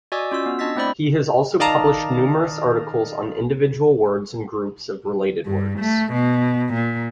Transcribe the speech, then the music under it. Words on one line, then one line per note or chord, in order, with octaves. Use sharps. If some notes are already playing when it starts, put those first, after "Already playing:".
He has also published numerous articles on individual words and groups of related words.
F#4 D5 D#5 G#5 D6 E6
C#4 F4 F#4 E6
B3
D4 D#5 E6 A6 B6
A3 C4 E4 C5 D5 B5
D#3 D5 D#5 F5 A5 A#5
G2
A3
B2
A#2